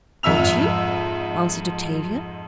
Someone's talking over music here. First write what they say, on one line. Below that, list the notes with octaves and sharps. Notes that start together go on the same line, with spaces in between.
"Would you?" answered Octavia.
F2 G#2 E5 E6 F7